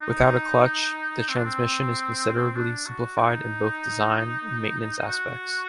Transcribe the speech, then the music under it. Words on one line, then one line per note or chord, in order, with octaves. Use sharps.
Without a clutch, the transmission is considerably simplified in both design and maintenance aspects.
D#4
C4
D4
C4
D4
F#4
D#4
F#4